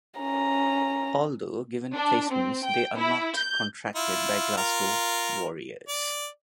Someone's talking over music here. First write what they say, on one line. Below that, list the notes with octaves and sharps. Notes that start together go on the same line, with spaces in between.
Although given placements they are not contracted by Glasgow Warriors.
C#4 A#5
D4
C4
G5
E4
G6
E4 F4
F4 A#4
D5